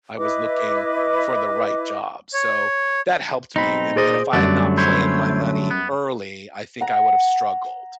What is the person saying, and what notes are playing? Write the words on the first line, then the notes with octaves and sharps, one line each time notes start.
I was looking for the right job, so, that helped me, and and if I had not planned my money early, I think I would've struggled,
E4 B4 D#5 D6
C#5
B1 C4 D#4 B5
A#2 G#4 C5 D5 D#5
F#2 D3 F#3 G3 A3 D5
E4 C5 C#5
B3
F#5 A#5